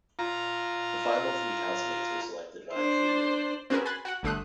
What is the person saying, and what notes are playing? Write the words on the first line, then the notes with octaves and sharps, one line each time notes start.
The final three housemates were selected via Kumu.
F4 A#5
D4 C5
C4 C#4 F#4 G#4 A#4 B4
G#5 B5 C6 F#6 A6
F#4 F#5
G1 D3 A3 C6 D#6 F#6